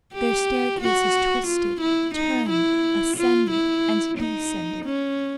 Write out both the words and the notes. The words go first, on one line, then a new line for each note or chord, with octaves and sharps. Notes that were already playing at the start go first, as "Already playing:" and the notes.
Their staircases twisted, turned, ascended, and descended.
G4
F#4
F4
E4
D#4
E4
F4
E4
D#4
C#4